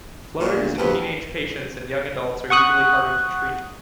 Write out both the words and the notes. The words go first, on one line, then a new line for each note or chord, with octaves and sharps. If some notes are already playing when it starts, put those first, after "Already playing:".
Floaters in teenage patients and young adults are usually harder to treat.
A#2 D5
D2 B3
A#1 F2 F#4 G4 B4 C5
F#5 C#6 D#6 F#6